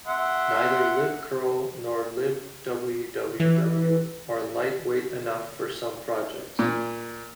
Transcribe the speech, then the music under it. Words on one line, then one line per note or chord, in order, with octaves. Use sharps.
Neither libcurl nor libwww are lightweight enough for some projects.
E5 F#5 C6
E3
A#2